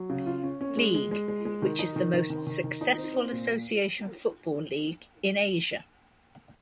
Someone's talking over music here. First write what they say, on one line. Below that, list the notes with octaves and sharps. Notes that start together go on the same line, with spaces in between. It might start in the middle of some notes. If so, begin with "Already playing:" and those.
League, which is the most successful association football league in Asia.
Already playing: F#3
C#3
F4
C#4
C#4
G#3
G#3
G#3
G#3
G#3
D#3
D#4
D#3
D#3
D#3
D#3
D#3
D#4
C4
C4
A#2